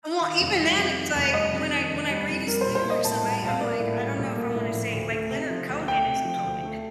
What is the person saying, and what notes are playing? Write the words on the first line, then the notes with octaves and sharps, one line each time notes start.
Well, even then it's, like, when I when I read his lyrics and I I'm, like, I don't know if I wanna say, like, Leonard Cohen is a poet.
D#3 F5
F1
G3
F2
D#3
F1
G3 D#5
F2
D#3
F1
G3
F2
G3 A#4
A#1 C5
C5
A#3 D#5
A2 A5
G3
A5
A#1
F5
A#3 D5
A2
G3
A#1
A#3
A2
F3
D2
A3
C3
F3
D2
A3 G5
C3
F3
D2
A3